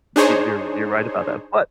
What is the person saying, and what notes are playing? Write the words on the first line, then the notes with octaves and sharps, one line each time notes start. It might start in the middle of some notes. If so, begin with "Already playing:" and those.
y you're you're right about that, but
D4 D#4 G#4 C5 C#5